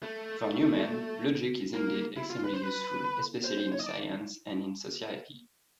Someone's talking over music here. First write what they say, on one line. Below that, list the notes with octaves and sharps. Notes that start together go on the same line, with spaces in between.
For Newman, logic is indeed extremely useful especially in science and in society.
A3
A#3
E4
F4
B4
C5
B4
C5
C5
C#5
D#5
D5